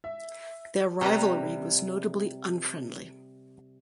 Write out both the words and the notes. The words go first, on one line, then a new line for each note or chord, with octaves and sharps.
Their rivalry was notably unfriendly.
E5
C3 G3 B4 A#5